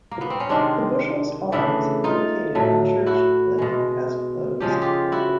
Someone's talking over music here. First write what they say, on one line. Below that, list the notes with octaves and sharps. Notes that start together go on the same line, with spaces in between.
The "Bushells Arms" located on Church Lane has closed.
A#3
B3
C4
C#4
C3 D#3 G#3 C4 D4
C#3 E3 A3 D4 E4
D#4 F4
A2 F#3 A3
E4 F#4
B2 G#3
C#3 F3 G#3 G4
G#4
F4 G4
E4 F#4